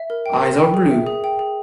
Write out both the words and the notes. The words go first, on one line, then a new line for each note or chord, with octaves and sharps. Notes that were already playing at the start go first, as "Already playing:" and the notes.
Eyes are blue.
Already playing: E5
A#4
G5
A#4
G5
G#4
E5
G#4
G5
G#4